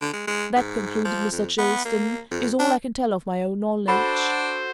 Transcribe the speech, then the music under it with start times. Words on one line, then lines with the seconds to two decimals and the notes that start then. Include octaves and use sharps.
That," concluded Mr. Chilstone, "is all I can tell of my own knowledge.
0.02 D3
0.13 G#3
0.28 G#3
0.56 G#2
1.05 F3
1.32 F2
1.58 B3
1.85 A#3
2.31 F2
2.60 D4
3.88 D4 F#4 A4 C5 F#5 B5